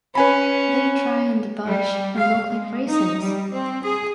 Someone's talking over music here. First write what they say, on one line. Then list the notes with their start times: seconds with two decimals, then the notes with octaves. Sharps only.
They dry on the bush and look like raisins.
0.15 C#4 B4 G#5 B5
1.65 G3
2.17 F5
2.50 G#3
2.87 D#4
3.21 G3
3.52 C4
3.83 G#4